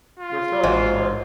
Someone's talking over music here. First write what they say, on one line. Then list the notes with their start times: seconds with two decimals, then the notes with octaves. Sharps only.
You are throwing too hard!
0.20 F4
0.64 A1 G#2 F#4 D#5